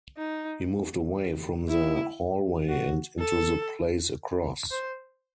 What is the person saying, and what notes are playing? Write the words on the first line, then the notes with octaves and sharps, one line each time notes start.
He moved away from the hallway and into the place across.
D#4
E4
F#4
A4
C5